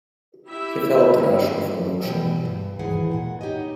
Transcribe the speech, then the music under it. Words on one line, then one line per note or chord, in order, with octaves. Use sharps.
He felt a rush of emotion.
E4 G4 E5
B2 E3 G3 G5
G2
D#2 G#2 D#3 E3 G#4 F#5
A#2 F#5
D#4 G4 C#5 D#5